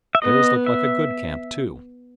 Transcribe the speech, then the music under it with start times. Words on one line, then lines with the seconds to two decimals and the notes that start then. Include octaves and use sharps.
Theirs looked like a good camp, too.
0.15 E5
0.22 B3 D#5
0.66 E5